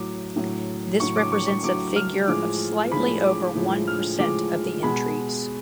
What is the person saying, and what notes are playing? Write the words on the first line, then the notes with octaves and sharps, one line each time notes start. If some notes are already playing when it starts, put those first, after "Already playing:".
This represents a figure of slightly over one percent of the entries.
Already playing: A2 F#3 D6
A2 F#3
A2 F#3 C#6
D6
C#6
C#6
A2 F#3 D6
F6
A2 F3 G#3 D6
A2 F3 G#3 B5
D6
A2 F3 G#3
F6
A2 F3 G#3 D6
B2 G#3 B5